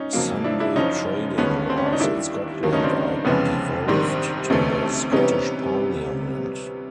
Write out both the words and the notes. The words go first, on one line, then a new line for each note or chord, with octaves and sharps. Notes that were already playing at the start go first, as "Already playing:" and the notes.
Sunday trading laws in Scotland are devolved to the Scottish Parliament.
Already playing: C#4 D#4
F2 C#3 F#3 A#3
D4 E4
D4 E4
F#1 F#2 C#3 F3 C#4 D#4
G1 G2 D#3 G#3 B3 C#4
C4
C#4
D4
D#4
D#2 D#3 G3 D4 E4
G2 D#3 F#3 A#3
C#4 D#4
C4 D4
F1 F2 C#3 E3 G#3 B3 C#4
A#1 G#2 D#3 G3 C4 D4
D2 C3 E3 A3 C#4 D#4
C3 E3 G3 B3 C#4 D#4
C#4 D#4